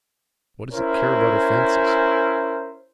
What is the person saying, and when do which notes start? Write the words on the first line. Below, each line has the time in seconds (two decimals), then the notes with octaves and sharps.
What does it care about offences?
0.73 C#4 E4 A#4 C5